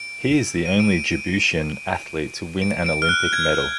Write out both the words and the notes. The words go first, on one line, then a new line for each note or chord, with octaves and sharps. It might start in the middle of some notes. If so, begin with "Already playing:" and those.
He is the only Djiboutian athlete to win an Olympic medal.
Already playing: D7
D#7
D7
D#7
D7
D7
F6
F#6
G#6